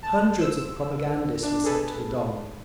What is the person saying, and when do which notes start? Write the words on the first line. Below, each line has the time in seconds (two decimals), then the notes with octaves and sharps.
Hundreds of propagandists were sent to the Don.
0.03 A5
0.39 C5 E6
1.43 D4
1.64 G#4 A4 B4